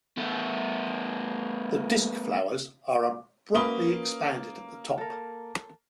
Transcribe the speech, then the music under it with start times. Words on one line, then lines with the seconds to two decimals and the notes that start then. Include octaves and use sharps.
The disk flowers are abruptly expanded at the top.
0.18 A3 B3
3.55 A#3 C#4 F#4 B4 D#6 G7
4.98 A4 A#4